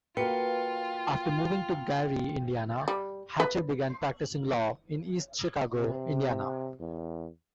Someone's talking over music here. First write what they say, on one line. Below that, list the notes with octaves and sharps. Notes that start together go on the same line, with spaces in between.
After moving to Gary, Indiana, Hatcher began practicing law in East Chicago, Indiana.
A#3 F4 F#4 B4 G5 C#7
G3
B4
C3
E2